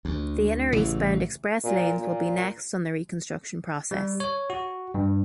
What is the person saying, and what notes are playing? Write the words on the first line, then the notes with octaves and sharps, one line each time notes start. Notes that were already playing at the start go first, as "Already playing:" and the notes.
The inner eastbound express lanes will be next on the reconstruction process.
D2
A1 C#3 E3
A#2
A#2
G3
C#5
F#4
G2